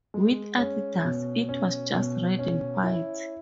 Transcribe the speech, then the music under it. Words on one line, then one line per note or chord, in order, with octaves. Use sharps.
With Adidas, it was just red and white.
G#3
C#4
B2
C#4
B2
C#4
E4